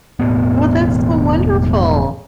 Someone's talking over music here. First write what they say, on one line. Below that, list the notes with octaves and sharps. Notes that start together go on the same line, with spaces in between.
Well, that's so wonderful.
E1 A2 B3